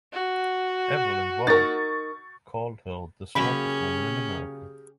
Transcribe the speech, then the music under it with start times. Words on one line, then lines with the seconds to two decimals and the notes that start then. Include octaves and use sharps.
Evelyn Waugh called her "the smartest woman in America".
0.13 F#4
1.47 D#4 A#4 C#6 A6
3.35 C#3 F#3 A#3 C#4 G4 G#4 A#4 B5